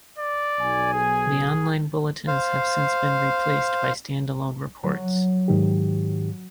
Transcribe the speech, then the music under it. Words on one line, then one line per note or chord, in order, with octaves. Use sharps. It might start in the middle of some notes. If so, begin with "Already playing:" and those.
The online bulletins have since been replaced by stand-alone reports.
D5
B1 G#5
G#4
C5 F5
F#3
G#2 D#3 G4